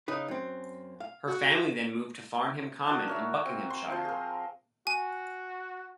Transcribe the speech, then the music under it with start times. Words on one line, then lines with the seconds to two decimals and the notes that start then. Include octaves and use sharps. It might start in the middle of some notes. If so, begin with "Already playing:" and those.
Her family then moved to Farnham Common in Buckinghamshire.
0.08 C#3 D#4 B4
0.28 F#2 C4
1.00 F5
1.27 F#4
2.87 D4 D#4 F#4
3.08 A#4 C#5 E5
3.45 C4
3.70 C6
3.90 F3 C5
4.05 G#4 A#4
4.87 F#4 G#5